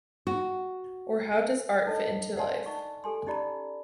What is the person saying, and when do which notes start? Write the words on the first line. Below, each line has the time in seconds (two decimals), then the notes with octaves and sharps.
Or how does art fit into life?
0.27 F#4
1.86 D4 D#4 A4 D#5
2.37 D5 F#5 G#5 A5 C6
2.66 D#4 C#6
3.04 G4 A4 G#5 C6
3.27 C#4 D#4 G4 D5 A#5 B5